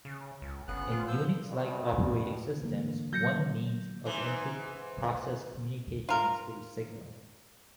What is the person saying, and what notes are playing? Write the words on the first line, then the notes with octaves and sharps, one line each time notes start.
In Unix-like operating systems, one means of inter-process communication is through signals.
C#3
C#2
G1 C#3 B3 F#6
F4
F3 E6 G6
G2 B2
D3 E3 A#3
F#3 G6 A#6 C#7
G#2 E3
F4 A#4